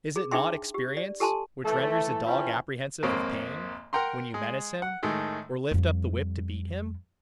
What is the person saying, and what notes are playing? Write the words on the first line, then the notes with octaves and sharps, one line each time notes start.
Is it not experience, which renders a dog apprehensive of pain, when you menace him, or lift up the whip to beat him?
G#4
D4 D#4 G#4 E5 G5 C6
G4
D5
G4 A4 G#5 A5 C6
E3 A3
E3 F3 C#4 E4 G5 A5
G#1 F2 A#3 C4 C#5
A#4 F#5 G5 A#5 C6
G#3
F#5
A2 D#3 G#3 A3
F2 G3